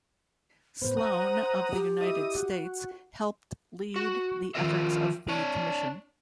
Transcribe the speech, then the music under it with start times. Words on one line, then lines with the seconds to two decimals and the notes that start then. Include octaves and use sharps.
Sloane of the United States helped lead the efforts of the commission.
0.82 A2 B3 C5
0.97 F#5 A#5 D#6
1.71 G4
2.01 E4 D#5 D#6
2.36 F#4
3.96 F#4
4.55 D#3 F3 F4 A#4 D#5 E5
5.29 D4 C#5